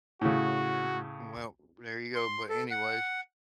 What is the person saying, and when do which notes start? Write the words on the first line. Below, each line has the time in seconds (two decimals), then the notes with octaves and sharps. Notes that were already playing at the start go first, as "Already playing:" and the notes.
Mm, mm, well, there you go, but anyways,
0.21 A2 C#3 F#4
2.15 C6
2.49 A4
2.71 F#5